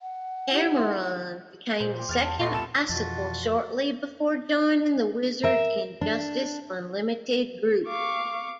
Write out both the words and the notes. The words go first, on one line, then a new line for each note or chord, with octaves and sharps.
Cameron became the second Icicle shortly before joining the Wizard's Injustice Unlimited group.
F#5
E4 G4
D#4 E5 C6
A#2 C5
G4 C6
E2 F6 A6 F7
A5
A#2 A3 B3 D#5 C6 C#6 A#6
F2 A5 E7
F2 B2 E3 F4 F#4 D#5 A5
A#4 E5
D4
F5 C#6 D6